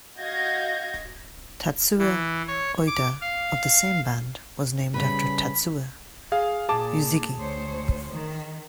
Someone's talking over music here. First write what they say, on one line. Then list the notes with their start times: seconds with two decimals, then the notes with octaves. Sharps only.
Tatsuya Ueda, of the same band, was named after Tatsuya Uesugi.
0.19 F#4 D#5 F5 G6 G#6 A#6
1.98 E3
2.48 C#5
2.87 D6
3.21 F5
4.94 C#3 G3 B4 B5
6.32 G#4 F5
6.69 A#2 G#4 A5 D6
7.39 D2 C5 C#5
8.10 D#3